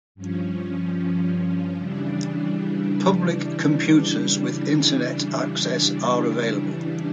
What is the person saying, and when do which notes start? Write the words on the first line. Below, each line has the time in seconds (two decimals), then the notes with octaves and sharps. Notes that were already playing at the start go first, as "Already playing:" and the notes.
Public computers with Internet access are available.
0.15 G2 F3 C#4
1.77 C#3 E3 G3 D4